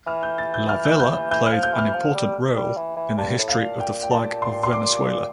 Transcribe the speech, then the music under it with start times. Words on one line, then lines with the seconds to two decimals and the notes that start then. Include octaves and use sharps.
La Vela played an important role in the history of the Flag of Venezuela.
0.07 E3 F6
0.23 G6
0.38 A6
0.54 G6
0.69 F6
0.85 G6
1.00 G6
1.31 E3 G6
1.46 F6
1.52 F3
1.63 G6
1.73 E3
1.79 F6
1.94 F3
2.14 G3
2.56 G3
2.77 E3
2.97 E3
3.17 G2 A5
3.39 A2
3.48 F5
3.59 A#2
3.80 G5
4.03 G5
4.11 A5
4.42 C6
4.63 C6
4.73 D6
5.05 A#2